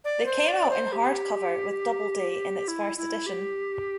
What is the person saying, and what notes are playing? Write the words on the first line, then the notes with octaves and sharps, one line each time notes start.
They came out in hardcover with Doubleday in its first edition.
D5
C5
D5
C5
G4
E4
E4
G4